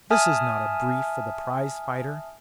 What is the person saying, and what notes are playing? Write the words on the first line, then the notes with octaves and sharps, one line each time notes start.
This is not a brief for the prize-fighter.
E5 G#5 A5 D#6 F6